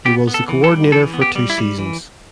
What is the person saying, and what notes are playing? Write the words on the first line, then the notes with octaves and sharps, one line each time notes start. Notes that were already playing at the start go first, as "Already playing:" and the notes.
He was the coordinator for two seasons.
B3 G4
B3
A4
E3
A4
G3
E3 A4
B3
G4
G3
E4
G3
E3